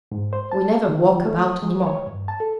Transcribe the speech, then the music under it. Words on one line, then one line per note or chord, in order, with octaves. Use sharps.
We never walk about any more.
G#2
C5
A5
D#3
F3
A3
D#6
G#3
C#5
G2
A5
A4